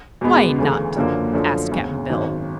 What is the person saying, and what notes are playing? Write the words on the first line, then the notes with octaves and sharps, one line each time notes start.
"Why not?" asked Cap'n Bill.
E2 B2 G#3 B3
D2 C#3 E3 A3
F#1 F#2 D3 F3 A#3
F#2 D3 F3 A3
E1 D2 C#3
G#1 F#2 D#3